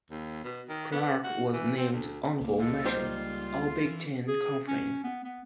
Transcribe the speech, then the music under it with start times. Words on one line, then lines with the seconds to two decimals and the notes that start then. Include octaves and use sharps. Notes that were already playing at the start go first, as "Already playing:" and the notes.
Clark was named honorable mention All-Big Ten Conference.
0.10 D#2
0.44 B2
0.69 D#3
0.92 B3
1.24 F#4
1.53 E3
1.77 C4
1.93 D2
2.41 C#2 A#3
2.58 G#3 A4
2.85 G3 D#4 F4 C5
3.86 E3
4.28 G#4
4.67 C#4
5.04 B3
5.24 B3